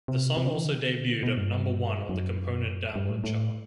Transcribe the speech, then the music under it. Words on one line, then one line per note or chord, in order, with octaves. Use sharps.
The song also debuted at number one on the component Download Chart.
C3
C3
D3
E3
D3
B2
G2
F#2
G2
A2
A2